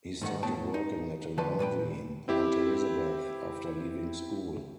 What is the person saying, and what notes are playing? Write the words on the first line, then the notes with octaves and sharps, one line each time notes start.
He started working at a laundry in Port Elizabeth after leaving school.
G#2 D#3 A3 F#5
A2 B3 G5 A5
D#4
D2 F3 B4 D#5 A5
A#2 B4 D5 G5
C4 E4 G4